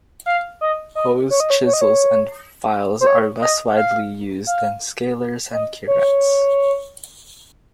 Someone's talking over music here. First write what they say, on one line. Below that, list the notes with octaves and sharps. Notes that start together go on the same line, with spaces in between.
Hoes, chisels, and files are less widely used than scalers and curettes.
F5
D#5
D#5
C#5
D#5
C#5
C#5
D#5
C#5
C5
C#5
D#5
F5
F5
D#5
C#5